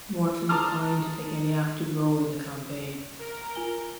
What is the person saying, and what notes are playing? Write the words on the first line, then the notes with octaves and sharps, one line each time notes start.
Morton declined to take any active role in the campaign.
A5 A#5 C6 D6 D#6 F6
A#4
F4 G#5 G7